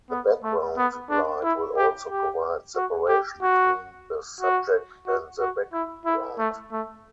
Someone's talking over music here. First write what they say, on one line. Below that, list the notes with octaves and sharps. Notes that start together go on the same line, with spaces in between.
The background light will also provide separation between the subject and the background.
B3
A3
B3
D4
E4
G4
G4
F#4
G4
F#4
F#4
F#4
F#4
E4
E4
A3
A3